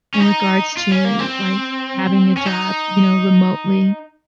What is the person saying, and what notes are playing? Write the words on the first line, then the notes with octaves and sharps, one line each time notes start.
in regards to, like, having a job, you know, remotely.
C#4
D#4
F4
C#4
A#3
C4
C#4
D#4